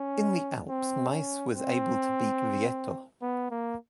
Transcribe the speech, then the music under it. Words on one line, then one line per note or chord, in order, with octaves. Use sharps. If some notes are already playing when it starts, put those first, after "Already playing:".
In the Alps, Maes was able to beat Vietto.
Already playing: C#4
C4
C#4
C4
B3
A#3